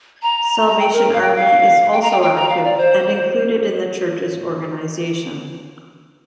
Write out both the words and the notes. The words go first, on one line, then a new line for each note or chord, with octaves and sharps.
Salvation army is also active and included in the churches organization.
A#5
A#5
G5
A#4
F5
G5
F5
G5
A#5
G5
G5
A#5
F5
D5
C5